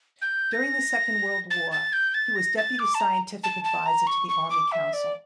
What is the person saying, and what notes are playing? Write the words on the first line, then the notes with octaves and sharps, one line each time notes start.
During the Second World War he was Deputy Scientific Advisor to the Army Council.
G6
A#6
A6
A6
G6
A6
A#6
A6
D6
A5
A#5
A5
A5
A#5
C#6
C#6
D6
E5
D5